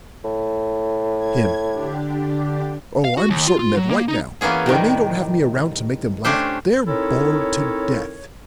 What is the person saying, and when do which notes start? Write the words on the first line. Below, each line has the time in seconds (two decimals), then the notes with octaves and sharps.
HIM: Oh, I'm certain that right now, when they don't have me around to make them laugh, they're bored to death.
0.24 A2
1.17 G#6
1.71 D3 D4 G4
3.05 F5
3.17 F#4
3.30 D#2
3.48 F4
3.59 F4
3.77 F#3
3.90 A#3
4.08 D#4
4.41 E3 A#3 B3 C#4 G#4
4.66 A2 C3 D#3 G3
6.25 A3 C#4 D4 G4 C5
6.87 C4 D#4 E4 A4 A#4 C#5